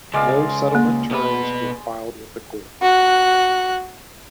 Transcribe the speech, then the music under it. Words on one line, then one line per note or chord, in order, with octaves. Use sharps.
No settlement terms were filed with the court.
C#2 G#3 D5 F5
A#3
B2 B4
F#4 F#6